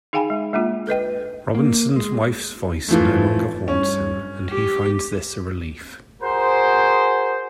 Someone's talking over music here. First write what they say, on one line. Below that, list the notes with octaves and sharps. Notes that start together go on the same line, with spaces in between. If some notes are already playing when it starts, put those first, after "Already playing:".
Robinson's wife's voice no longer haunts him, and he finds this a relief.
D#4 G#4 F5 G5 G#5 B5
G#3
G#3 A#3 D4 F4
A4 B4 D#5 G5
A#3
G#3
F2 G#2 E3 F3 A3
G2 C#4
G4
F#4 G#4 A#4 C5